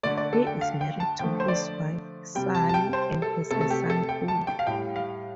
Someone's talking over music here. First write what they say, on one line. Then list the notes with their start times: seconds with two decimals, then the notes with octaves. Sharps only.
He is married to his wife, Sally, and has a son, Cole.
0.03 D3 A3 D5
0.17 D5
0.33 A4
0.47 G5
0.61 F5
0.81 G5
1.00 A5
1.19 D3 F3 A3 G5
1.40 C5
1.48 D5
2.35 C3 G3 G5
2.55 A5
2.69 A5
2.74 G5
2.93 C5
3.22 A4
3.51 C3 A3 A4
3.61 A4
3.70 G4
3.90 A4
4.09 G5
4.28 A5
4.47 G5
4.59 F5
4.67 A2 G3 G5
4.96 F5